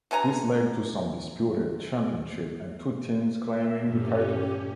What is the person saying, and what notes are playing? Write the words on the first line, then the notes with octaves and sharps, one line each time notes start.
This led to some disputed championships and two teams claiming the title.
B2 D3 G#5 A#5
E5
G2 A#2 C#4 G4